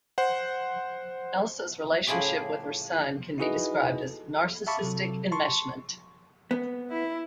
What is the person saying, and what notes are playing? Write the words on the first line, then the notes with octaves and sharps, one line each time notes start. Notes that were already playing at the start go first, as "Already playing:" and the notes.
Else's relationship with her son can be described as "narcissistic enmeshment".
C5 F#5
A2 C#3 F3 E4 G#4 D5
D#4 E4 F#4 G#4 B4 D#5
A4
E5 F5 A5 B5 C#6 D6
C3 F#3 A4
A5 C6 C#6
B3
E4